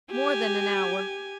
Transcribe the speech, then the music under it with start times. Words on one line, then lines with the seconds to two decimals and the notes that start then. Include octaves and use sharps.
More than an hour.
0.11 G4 G#5